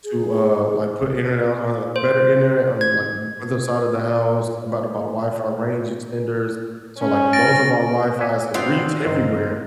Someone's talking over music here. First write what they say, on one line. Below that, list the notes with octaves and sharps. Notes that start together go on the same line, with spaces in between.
to, uh, like put internet on better internet on like other side of the house, I'm about to buy Wi-Fi range extenders, so like both of our Wi-Fis can reach everywhere.
G#4
C5
G#6
C#4
A6 A#6 D7
E5 F#5 G#5
B3 C4 D4 F4 F#4 C#5 F5
G2 A#4 C5 D#5